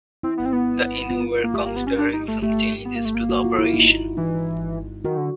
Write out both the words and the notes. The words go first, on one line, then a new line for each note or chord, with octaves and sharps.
The Innu were considering some changes to the operation.
C4 E4
B3
C4
B3
F4
A#3
A3 G4
A#3
B3
C#4
D4
D#4
A3
A3 G4
B3
A#3
A3
A#3
F#4
F4
E4
D#4
E3 D#4
D#3 F#4
D3